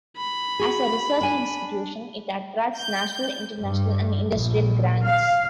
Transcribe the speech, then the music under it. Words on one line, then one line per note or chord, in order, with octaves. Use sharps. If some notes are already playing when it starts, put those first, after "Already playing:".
As a research institution it attracts national, international, and industrial grants.
B5
F#4 G#4
D4 G#5
G6
G2
A#1
F5